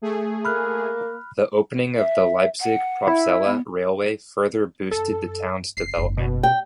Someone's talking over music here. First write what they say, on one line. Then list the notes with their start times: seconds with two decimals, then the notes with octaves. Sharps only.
The opening of the Leipzig-Probstzella railway further boosted the town's development.
0.02 A3 G#4
0.45 A#3 B5 F6 F#6
1.97 E5
2.60 F#5
3.07 E4
3.44 B3
4.91 F#2 A4
5.77 F#1 C7
5.97 F#1 G#2
6.17 B2
6.43 G5